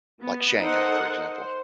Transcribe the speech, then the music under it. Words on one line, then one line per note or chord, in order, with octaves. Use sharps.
like Shanghai, for example.
B3
D#4 A4 A#4 C5 D#5 F#5
C5